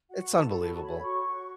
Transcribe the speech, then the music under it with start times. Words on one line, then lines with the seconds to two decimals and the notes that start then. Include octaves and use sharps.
It's unbelievable.
0.11 F#4 F#5
0.34 A4 A5
0.57 F#4 B5
0.70 A5
0.80 C#5 B5
1.03 F#4 C#6
1.26 F#4